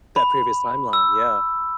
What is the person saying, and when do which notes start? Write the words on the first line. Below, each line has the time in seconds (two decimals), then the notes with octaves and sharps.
that previous timeline, yeah.
0.16 B5
0.93 E6